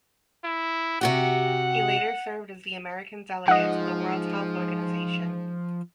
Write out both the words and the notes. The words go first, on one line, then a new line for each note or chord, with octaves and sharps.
He later served as the American delegate to the World Health Organization.
E4
C3 F#4 G4 F#5
G#2 F3 D#5 F#5